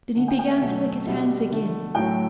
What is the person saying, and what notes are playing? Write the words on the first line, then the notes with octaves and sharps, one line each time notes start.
Then he began to lick his hands again.
D3 A3 F#5
G5
G5
E5
B2 F#3 A3
B2 G3 E5
D3 A3
A2 F#3 A3 G5